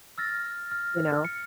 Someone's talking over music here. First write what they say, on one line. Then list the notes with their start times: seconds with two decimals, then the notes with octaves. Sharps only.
You know?
0.18 E6 F6 A6 A#6
0.71 F6
1.25 C#7